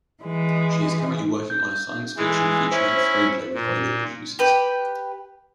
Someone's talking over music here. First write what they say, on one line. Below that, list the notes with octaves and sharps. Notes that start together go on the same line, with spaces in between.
She is currently working on a science fiction feature-length screenplay with Hollywood producers.
E3 G#3
G6
E3 G#3
C#4 E4 C5
A#2
G4 B4 G5